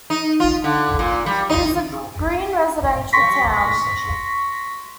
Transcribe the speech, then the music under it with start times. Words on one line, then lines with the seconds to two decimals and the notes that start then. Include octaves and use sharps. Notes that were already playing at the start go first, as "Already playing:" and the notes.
It is a green residential town.
0.10 D#4
0.40 F4
0.64 D3
0.99 A#2
1.26 G3
1.50 D#4
3.13 C6 C#6 A#6 B6